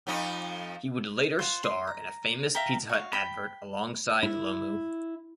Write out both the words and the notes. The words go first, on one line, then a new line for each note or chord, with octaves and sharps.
He would later star in a famous Pizza Hut advert alongside Lomu.
F2 F3 D#4
F4 C5 F#5
C6
A#5
E5 F5 G5 A#5
F#4 F5
G5 B5
E4